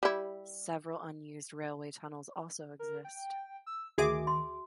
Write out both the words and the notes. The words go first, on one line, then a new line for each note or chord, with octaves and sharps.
Several unused railway tunnels also exist.
G3 E4
A#4
G5
E6
D2 D#3 F#4 G#4 E5 D6
C6